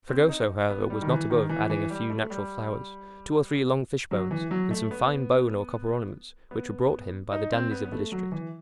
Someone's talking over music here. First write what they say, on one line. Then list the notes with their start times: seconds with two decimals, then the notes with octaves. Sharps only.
Fragoso, however, was not above adding a few natural flowers, two or three long fish-bones, and some fine bone or copper ornaments, which were brought him by the dandies of the district.
0.09 C4
0.29 D#4
0.70 B3
0.90 G3
1.02 D#3
1.09 E3
1.30 D#3
1.49 E3
1.70 E3
1.90 G3
2.10 A3
2.30 G3
4.11 F#3
4.31 E3
4.51 F#3
4.71 A3
4.91 B3
6.51 B3
7.32 D#4
7.52 C4
7.71 B3
7.85 B3
7.92 A3
8.12 F#3
8.32 E3